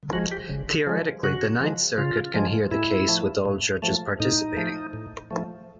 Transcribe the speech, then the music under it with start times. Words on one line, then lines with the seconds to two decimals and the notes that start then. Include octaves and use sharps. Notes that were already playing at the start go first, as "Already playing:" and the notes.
Theoretically, the Ninth Circuit can hear the case with all judges participating.
0.13 F3 G#3 F#4
0.32 G4
0.49 C#3
0.87 F3 G#3
1.23 C#3 F#4
1.60 F3 G#3
1.98 C#3 F4
2.34 F3 G#3
2.71 A2 E4
3.08 F3 A3
3.45 A2
3.82 F3 A3
4.20 A2 D#4
4.57 F3 A3
4.93 A2
5.31 F3 A3